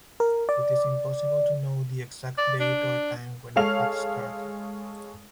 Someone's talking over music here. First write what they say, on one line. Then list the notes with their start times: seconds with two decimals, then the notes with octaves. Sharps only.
It is impossible to know the exact date or time when it had started.
0.20 A#4
0.49 D5
2.38 D5
2.60 D4
3.56 G#3 A4 C#5 F5 F7